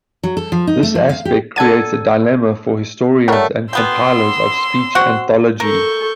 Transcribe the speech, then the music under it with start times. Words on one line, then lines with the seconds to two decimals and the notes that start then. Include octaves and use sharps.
This aspect creates a dilemma for historians and compilers of speech anthology.
0.23 F#3
0.37 A4
0.52 F3
0.67 D#4
0.83 A3
0.95 F3
1.09 F5
1.25 G4
1.56 F#3 D4 A4 G#6 D#7
3.28 G3 A3 A#4 C#5 F#5
3.73 B2 B3 G5 C6 E6
4.95 C4 F#4 F#5
5.60 A4 A#4 C#6 G6